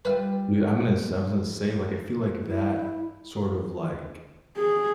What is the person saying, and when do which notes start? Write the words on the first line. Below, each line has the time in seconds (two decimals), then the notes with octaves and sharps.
Yeah, I'm gonna s I was gonna say, like, I feel like that sort of, like,
0.05 G3 F4 B4 E5 F5
2.41 E4
4.57 G#4